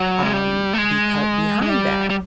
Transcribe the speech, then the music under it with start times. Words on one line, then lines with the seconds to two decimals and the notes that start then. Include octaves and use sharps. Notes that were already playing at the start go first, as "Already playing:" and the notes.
um, becau behind that
Already playing: F#3
0.23 G#3
0.33 G3
0.73 A3
0.78 G#3
1.62 G#3
1.69 G3
2.10 G3